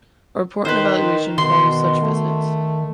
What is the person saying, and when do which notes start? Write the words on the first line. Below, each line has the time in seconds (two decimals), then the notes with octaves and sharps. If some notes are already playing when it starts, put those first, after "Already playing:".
A report and evaluation follows such visits.
0.65 D#3 B4 C5
1.38 B2 D#3 C6
2.02 A3